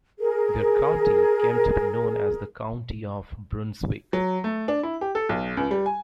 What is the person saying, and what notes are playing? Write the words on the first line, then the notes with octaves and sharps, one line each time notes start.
Their county came to be known as the County of Brunswick.
G#4 A#4
F#3
A3
D4
E4
G4
A4
B1
C#2
G3
G#5